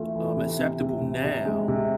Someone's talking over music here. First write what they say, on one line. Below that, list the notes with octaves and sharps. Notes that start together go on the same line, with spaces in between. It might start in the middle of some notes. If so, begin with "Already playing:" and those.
um, acceptable now
Already playing: E3 A3 F4
E3
C3
C3
C3
C3
C3
G#3
C3